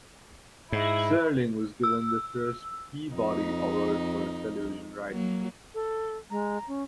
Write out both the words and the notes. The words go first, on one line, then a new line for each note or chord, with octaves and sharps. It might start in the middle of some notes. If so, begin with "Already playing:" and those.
Serling was given the first Peabody Award for television writing.
G#2 E4
E6
F2 D#4
F#3 A#3
A4
G#3 A#5
C#4